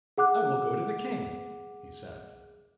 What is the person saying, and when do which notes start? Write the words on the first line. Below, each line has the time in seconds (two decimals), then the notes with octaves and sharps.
"I will go to the king," he said.
0.18 G#4 F#5 D6 F#6